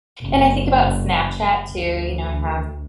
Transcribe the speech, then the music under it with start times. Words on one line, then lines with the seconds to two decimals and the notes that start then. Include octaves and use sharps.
and I think about Snapchat, too, you know, I have,
0.23 F#1
1.71 D2